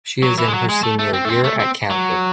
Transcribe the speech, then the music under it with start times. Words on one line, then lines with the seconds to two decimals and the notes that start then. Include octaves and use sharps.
She is in her senior year at Camden.
0.23 F#3
0.38 E3
0.48 G#3
0.54 F#3
0.69 G#3
0.83 A3
0.99 A3
1.13 C4
1.25 A3
1.29 C4
1.44 A3
1.59 C4
1.90 F#3